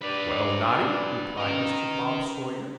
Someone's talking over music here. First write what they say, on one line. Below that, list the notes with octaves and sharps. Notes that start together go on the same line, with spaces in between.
'Well, Noddy,' replied Mr. Bob Sawyer.
D4 G4 B4 D5
C#4 G4 A#4 B4 D#5